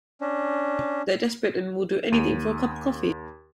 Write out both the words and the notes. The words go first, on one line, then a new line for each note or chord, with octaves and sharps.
They're desperate and will do anything for a cup of coffee.
C#4 D4
D#2 D#7